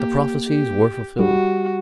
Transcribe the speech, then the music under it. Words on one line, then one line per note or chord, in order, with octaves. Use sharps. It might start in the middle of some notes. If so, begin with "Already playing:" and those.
The prophecies were fulfilled.
Already playing: A#3 G4
G4
G3 F#4